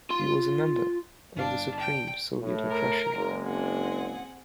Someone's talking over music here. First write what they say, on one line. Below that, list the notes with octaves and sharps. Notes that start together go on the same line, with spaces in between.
He was a member of the Supreme Soviet of Russia.
F4 C6
G1 D4 F5
G5
A2
A#4 A#5
F#1 G#3
C4 G#4 F#5